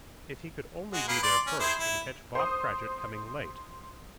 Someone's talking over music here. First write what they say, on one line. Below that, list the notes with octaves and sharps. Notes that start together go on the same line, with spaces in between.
If he could only be there first, and catch Bob Cratchit coming late!
G#3 F#4
A#3 G#4 B4
D5 C6
C#4
E4 G#4 C5
E4
C5 D#6